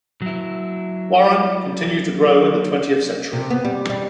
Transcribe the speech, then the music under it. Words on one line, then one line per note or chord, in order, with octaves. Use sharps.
Warren continued to grow in the twentieth century.
F#3 E4
C3
B3
G3
G3